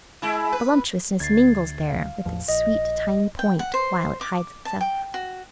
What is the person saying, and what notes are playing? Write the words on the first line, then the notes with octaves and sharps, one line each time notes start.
Voluptuousness mingles there with its sweet tiny point, while it hides itself.
G#3 E4
B4
D2 G#6 A6 C7
F5
A1 E2 F3
A#1 D#5
G5
F#5
C5
D6
A5
G5
F#4